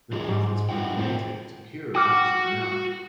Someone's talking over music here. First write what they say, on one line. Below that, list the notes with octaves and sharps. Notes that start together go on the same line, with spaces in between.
The profits were donated to Cure Autism Now.
E2 D3 G#3 G4 G#4
G#2
D#4 E4 F#5 G5
A2 C4 C5
F#4 F#5 G5 D6 F6